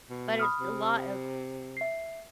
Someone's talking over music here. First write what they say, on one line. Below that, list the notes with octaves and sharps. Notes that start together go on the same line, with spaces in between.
but it's st a lot of
B2
B5 D#6 F6
C3
E5 C7